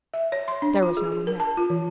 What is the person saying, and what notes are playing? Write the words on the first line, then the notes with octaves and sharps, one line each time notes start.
There was no one there.
E5
C#5
C6
D4
F4
G#4
G#4
A#4
A5
F4
E3